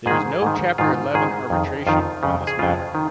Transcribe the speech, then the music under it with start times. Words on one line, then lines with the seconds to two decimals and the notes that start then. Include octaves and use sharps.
There is no Chapter Eleven arbitration on this matter.
0.06 G#2 D#3 G#4
0.42 G#2 D#3
0.78 G#2 D#3 F4
1.14 G#2 D#3 G#4
1.50 F2 D#3
1.87 F2 D#3 F4
2.23 F2 C#3
2.47 G#4
2.59 F2 C#3 F4
2.95 D#3